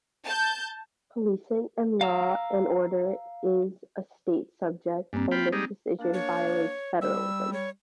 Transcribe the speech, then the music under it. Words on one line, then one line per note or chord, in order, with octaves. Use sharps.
Policing and law and order is a state subject, and this decision violates federalism.
A5 G6
F5 A#5 E6 F6
G2 A#3 C4
F4 G5 B5
G3 G#3 D#4
A#3 D4
C#5
G3 E6
C#5